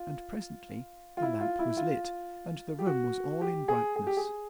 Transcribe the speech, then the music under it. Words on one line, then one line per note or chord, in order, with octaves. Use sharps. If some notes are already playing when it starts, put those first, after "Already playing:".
And, presently, the lamp was lit, and the room was all in brightness.
Already playing: F4
F4
E4
F4
E4
F4
G4
F#4
G4
G#4
G#4
G4
G#4